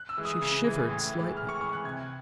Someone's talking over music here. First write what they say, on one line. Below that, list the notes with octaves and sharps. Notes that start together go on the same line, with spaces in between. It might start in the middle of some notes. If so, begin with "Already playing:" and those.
She shivered slightly.
Already playing: F#6
E6
E3 G#3
D#6
C#3
E3 G#3
A2
E3 G#3
A2 F6
C#6
E3 G#3 C#6
F#6
C3 G#6